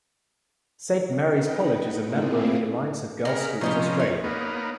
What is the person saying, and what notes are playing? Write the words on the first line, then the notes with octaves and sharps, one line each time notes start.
Saint Mary's College is a member of the Alliance of Girls' Schools Australia.
D#4 B4 D#5 F#5 G5
A3 A#3 C4 E4 F4 G#4
C#3 B3 G#4 A#4
C3 F3 B3 C#4 D#5 A#5
C#5
A#3 B3 D#4